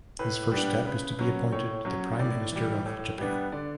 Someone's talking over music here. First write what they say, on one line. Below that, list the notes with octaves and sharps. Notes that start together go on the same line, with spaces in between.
His first step is to be appointed the Prime Minister of Japan.
A2 B4
G3 B3 D4
C#3 B4
F#3 C#4
A2 C#5
F#3 C#4
A2 D5
E3 G3
A2
G3 B3 D4
D3 D5